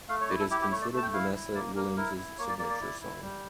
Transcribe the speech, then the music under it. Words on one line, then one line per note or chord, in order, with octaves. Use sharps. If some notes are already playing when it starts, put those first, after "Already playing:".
It is considered Vanessa Williams' signature song.
A3 F5
C#5
E4 D5
A4
E4 G4
G4
A3 C#5
D5
A3 A5
G5
E4 F5
E4
A#3 D5
A#3 A#4
E4 A#4
E4
A#3 C#5
D5
A#3 D5
D5
E4
E4
G3